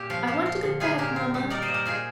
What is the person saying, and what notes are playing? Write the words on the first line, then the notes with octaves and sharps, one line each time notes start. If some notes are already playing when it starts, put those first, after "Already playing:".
I want to go back, mamma.
Already playing: A#2 G4
F3 F4
F3 G4
F4
D3
D#4 F4 G#4
A#2 G4 A#4
F4
G3
D#4 A#4 D5
C5 D#5
A#2
A#4 D5
D#4 F4 G#4